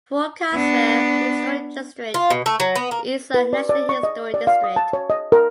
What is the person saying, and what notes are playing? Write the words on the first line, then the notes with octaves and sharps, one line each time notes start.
Fort Caswell Historic District is a national historic district.
B3 D4
F4
B2
A3
F#3
B3
A#3
B4
D5
D5
C#6
D#5
D5
F5
D#6
A5
C#5
D#5
A#4